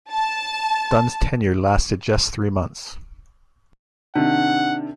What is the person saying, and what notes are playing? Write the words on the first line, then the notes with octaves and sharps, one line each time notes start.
Dunn's tenure lasted just three months.
A5
C3 D#3 D4 F#5